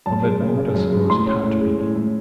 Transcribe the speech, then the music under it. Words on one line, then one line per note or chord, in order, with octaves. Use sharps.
From that moment, I suppose, it had to be.
F#2 A5
G#3
C#3
C#3
F#2
G#3
A2 C6
C#4
A2
G#3
A2
A2